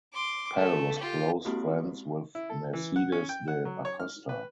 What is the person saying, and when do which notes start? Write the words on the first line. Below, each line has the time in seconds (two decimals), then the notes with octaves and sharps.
Pell was close friends with Mercedes de Acosta.
0.13 C6 D6
0.56 A3
0.97 F4 G4
1.45 G#3 A#3 C4 E4 F#4 G4
2.35 E4
2.50 A4
2.73 E3
2.96 F#5
3.12 C#4
3.29 G5
3.48 F#5
3.65 F#3
3.85 C#5
4.00 F6
4.29 B4